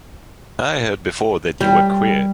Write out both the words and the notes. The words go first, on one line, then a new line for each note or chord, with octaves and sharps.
I heard before that you were queer.
G3